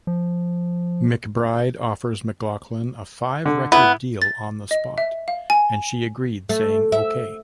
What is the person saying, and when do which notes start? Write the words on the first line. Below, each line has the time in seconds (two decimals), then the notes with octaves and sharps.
McBride offered McLachlan a five-record deal on the spot, and she agreed, saying Ok.
0.07 F3
3.46 D3
3.72 B3 E4 B5
4.22 A6
4.71 D#5
4.98 E5
5.28 F5
5.50 G#5
6.49 A3
6.92 E5